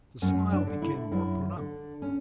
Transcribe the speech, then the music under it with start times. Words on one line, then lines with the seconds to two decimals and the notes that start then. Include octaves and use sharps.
The smile became more pronounced.
0.22 F#2 C#4
0.52 D4
0.67 D3
0.82 E4
1.11 F#2 E4
1.56 D3
2.02 C#4